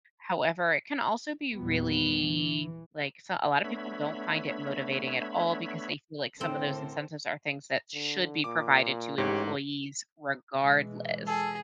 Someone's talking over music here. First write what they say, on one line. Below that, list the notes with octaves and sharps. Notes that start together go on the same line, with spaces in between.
However, it can also be really, like so, a lotta people don't find it motivating at all because they feel like some of those incentives are things that should be provided to employees regardless.
E2 A#2 E3 F#3 G3 B3
E3
A3 B3 D4 C#5 E5 B5
A2 D3 C4 A4 A#4 C5
D3
A#2 D6
A1 G#2 G4 C#5
B2 E3 G#3
G#4 A4